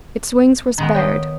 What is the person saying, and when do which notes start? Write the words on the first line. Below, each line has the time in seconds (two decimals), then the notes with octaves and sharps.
Its wings were spared.
0.78 D#3 G#3 B3 A#5 B5
0.95 C#5 D#5 F5 G5